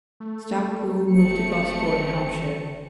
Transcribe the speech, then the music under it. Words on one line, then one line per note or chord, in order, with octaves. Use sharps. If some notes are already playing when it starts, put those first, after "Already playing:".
Stacpoole moved to Gosport in Hampshire.
A3
F#1 A3 C4 C#7